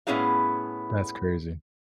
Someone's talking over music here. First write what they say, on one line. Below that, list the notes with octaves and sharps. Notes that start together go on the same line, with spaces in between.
That's crazy.
A2 B3 C#4 E4 G#4 F5